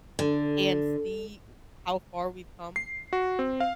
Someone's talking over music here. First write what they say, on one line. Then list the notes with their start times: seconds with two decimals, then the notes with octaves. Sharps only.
and see w how far we've come.
0.19 D3
2.76 C7
3.13 F#4
3.39 C4
3.60 F5